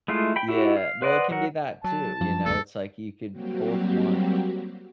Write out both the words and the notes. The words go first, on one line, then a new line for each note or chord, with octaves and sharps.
Yeah. Well, it can be that too, you know? It's like you could both want
G#3 A3 E4 F4
G5 B5
E4 F#4 G4 E5
F5
B4 C5 D5 D#5 F#5
F#3 A#4 F#5
F#3 A5
F#2 F3
E2 C#3 A3 A4
F#3 G3 A#3 C4 F#4 G4